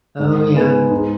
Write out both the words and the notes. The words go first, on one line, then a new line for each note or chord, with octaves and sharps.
Oh, yeah.
G#2
G#3 B3
G#2